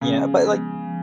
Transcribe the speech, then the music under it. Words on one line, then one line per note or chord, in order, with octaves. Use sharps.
Yeah, but like
C#3 F3 G#3 B3
F3 G#3 B3
F3